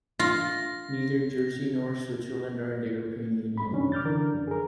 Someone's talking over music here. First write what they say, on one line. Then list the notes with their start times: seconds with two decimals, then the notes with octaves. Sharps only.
Neither Jersey nor Switzerland are in the European Union.
0.19 F4 A#6
3.57 B5
3.71 F#2 C3 D#3 C#4 D4
3.92 D6 F6 G6 A6
4.05 D3 E3 D4 A#4
4.33 F#2
4.47 G#4 A#4